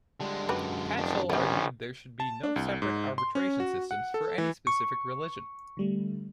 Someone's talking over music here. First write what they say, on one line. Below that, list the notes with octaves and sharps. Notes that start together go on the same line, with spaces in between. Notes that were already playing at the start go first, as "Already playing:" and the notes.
Tatchell argued there should be no separate arbitration systems for any specific religion.
D3 G3 G#3
F#2 F#4 G4 B4
F1 D#3 D4
A#1 D#3 G3 B3 C#4
A5
D4
C2
G#2
C6
C#4
F#4
F#5
A4
E3
C#6
D3 G3 A3